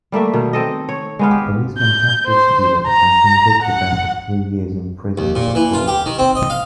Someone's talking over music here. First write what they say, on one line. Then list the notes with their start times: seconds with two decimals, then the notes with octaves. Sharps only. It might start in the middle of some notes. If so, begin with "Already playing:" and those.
Policemen captured students and convicted them for three years in prison for fraud.
0.12 G3 A3 A#3 E5
0.33 B2 D#3
0.53 C4 A4 D#5
0.89 C#5
1.19 G#3 B3 F5
1.31 G4
1.78 G6
2.27 C5
2.87 A#5
3.62 F#5
5.18 D#2
5.35 A#2
5.55 E3
5.73 F4
5.88 G4
6.06 D#3
6.18 C4
6.35 D#5
6.50 F5